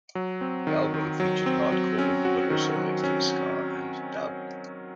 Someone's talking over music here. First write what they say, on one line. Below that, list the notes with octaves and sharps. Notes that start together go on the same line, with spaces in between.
The album featured hardcore, but also mixed in ska and dub.
F#3
C4
D#3
D#3
F#3
C4
F#3
C#4
F#4
D#3
F#3
C#4